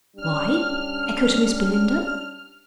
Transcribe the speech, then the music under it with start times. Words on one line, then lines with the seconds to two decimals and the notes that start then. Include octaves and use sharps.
"Why?" echoed Miss Belinda.
0.16 G3 C#4 D4 F6